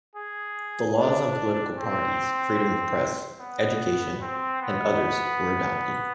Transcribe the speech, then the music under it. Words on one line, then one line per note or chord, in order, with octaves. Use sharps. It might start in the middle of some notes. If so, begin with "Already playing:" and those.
The laws on political parties, freedom of press, education and others were adopted.
G#4
D4
C4
B3
C4
B3